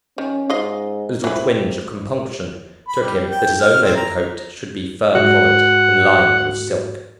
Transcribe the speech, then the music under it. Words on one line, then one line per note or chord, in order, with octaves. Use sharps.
A little twinge of compunction took him that his own overcoat should be fur-collared and lined with silk.
D#3 C#4
G#2 F4 D#5
C3 E3 B4
B5
G3
G5
F6
C4
A#5
G#2 F#4 F#5